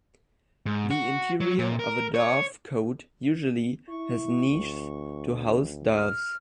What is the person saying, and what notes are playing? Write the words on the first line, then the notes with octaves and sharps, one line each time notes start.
The interior of a dovecote usually has niches to house doves.
G#2
F#4
F#3
A#2
A#4
C#5
E4 C#6
D2
F6